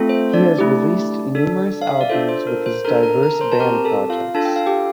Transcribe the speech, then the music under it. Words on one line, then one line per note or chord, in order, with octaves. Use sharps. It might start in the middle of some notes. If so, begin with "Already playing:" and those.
He has released numerous albums with his diverse band projects.
Already playing: A3 C4 F4 A4
C5
D4 D5
A3 E4 G4
D4 A4
F5
E5
D5
D4 F4 A4 C5
C5
A#4
C5
D4 A4 A#4 A#5
A#4 A#5
A#4 A#5
C5 C6
A5
C4 G4 A#4 A#5
A4 A5
F4 F5
D4 F4 A4 A5
G5
F5
G4 G5